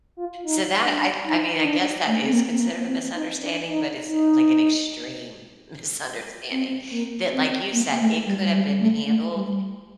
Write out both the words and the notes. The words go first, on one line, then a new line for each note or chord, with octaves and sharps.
So, that, I I mean, I guess that is considered a misunderstanding, but it's, like, an extreme misunderstanding that, like you said, it could have been handled
F4
D#4
D4
D#4
D#4
D4
A3
C4
A#3
C4
A#3
C4
D#4
D4
D#4
D#4
C4
A#3
C4
A#3
A3
G3
G3
A3
A3
G3